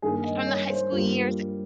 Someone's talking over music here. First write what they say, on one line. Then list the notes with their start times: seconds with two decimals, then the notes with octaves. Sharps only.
from the high school years
0.02 G2 D#3 A#3 G#4
0.25 D#5
0.47 C#5
0.70 C5
0.92 G2 G3 A#3 F4